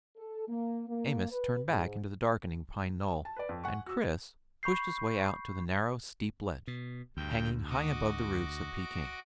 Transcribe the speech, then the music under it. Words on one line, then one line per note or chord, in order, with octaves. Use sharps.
Amos turned back into the darkening pine knoll, and Chris pushed his way out to the narrow steep ledge, hanging high above the roofs of Peking.
A4
A#3
A#3
B4
G#2
A5
B4 D5
F2
F#5 G#5 C#6
F#4 E6
B5 C#6 G6 C7
B2
D2 G2 G5
F#4 D#5 D6